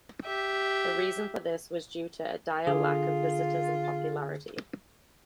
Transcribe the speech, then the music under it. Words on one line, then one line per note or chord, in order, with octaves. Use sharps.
The reason for this was due to a dire lack of visitors and popularity.
G4 E5
D3 F4 G#4